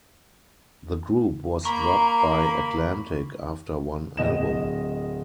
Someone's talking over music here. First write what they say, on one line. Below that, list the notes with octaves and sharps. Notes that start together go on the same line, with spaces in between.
The group was dropped by Atlantic after one album.
A#3 A#5 B5 C#6
D1 D#5 E7